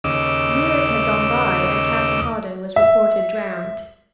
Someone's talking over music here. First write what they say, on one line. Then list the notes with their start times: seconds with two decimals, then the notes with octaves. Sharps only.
Years had gone by and Captain Hawdon was reported drowned.
0.04 D#2 C#3 D#5 D6 E6
2.76 E5